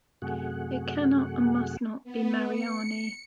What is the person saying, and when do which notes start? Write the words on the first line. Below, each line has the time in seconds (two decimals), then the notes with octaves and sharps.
It cannot and must not be Mariani.
0.22 F#2 C3 A3 F#4 G#4 F#5
2.04 B3
2.51 C#7